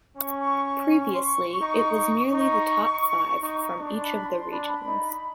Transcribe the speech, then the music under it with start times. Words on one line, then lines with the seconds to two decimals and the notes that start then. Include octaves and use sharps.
Previously, it was merely the top five from each of the regions.
0.16 C#4 C#6
0.40 C#6
0.65 C#6
1.00 C#6
1.12 C6
1.22 C#6
1.61 D#4
2.34 D#4 C#6
3.42 D#4
3.79 D4
3.99 C6
4.03 B5
4.28 C6
4.51 D4 B5
4.59 A#5
4.66 B5
4.87 D#4